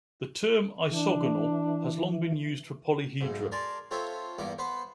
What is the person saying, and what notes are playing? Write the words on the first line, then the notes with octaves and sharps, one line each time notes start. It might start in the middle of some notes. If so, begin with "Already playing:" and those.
The term isogonal has long been used for polyhedra.
E3 D4
B1 G#2
A#4 D5 G#5 A5 C6
C4 F4 A4 C#5 E5
E2 G2 A#3 B3 D6
B3 B4 C5